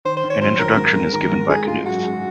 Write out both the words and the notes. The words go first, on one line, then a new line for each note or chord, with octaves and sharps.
An introduction is given by Knuth.
D#3 C5
C5
D#3
C#5
F#2 C5
D#3 A#4
G#2
G#2
D#3 A#4
G#2
G#3 G#4
G#3 F4
F#2 F#4
F#2